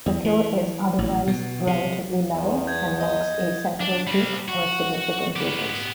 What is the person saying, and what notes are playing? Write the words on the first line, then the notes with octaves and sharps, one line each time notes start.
The floor is otherwise relatively level and lacks a central peak or significant ridges.
E2
E3
A1
B2
C3
E2
G6 G#6
D#5
D4
G3 C4
F#4
B3 G4